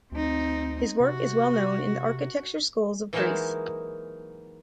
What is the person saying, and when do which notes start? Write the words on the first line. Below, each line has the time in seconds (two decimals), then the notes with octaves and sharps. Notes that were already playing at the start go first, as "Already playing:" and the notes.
His work is well known in the architecture schools of Greece.
0.12 D2 C4 D#4
1.00 C3 F#4
3.13 E3 F#3 G#3 A#3 D#4 A5